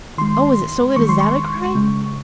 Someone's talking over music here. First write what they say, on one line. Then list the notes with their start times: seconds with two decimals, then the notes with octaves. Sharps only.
"Oh, is it so late as that?" I cried.
0.18 D#3 G#3 C6
0.96 D#3 G#3 C#6
1.09 C6
1.20 C#6
1.75 C#3 G#3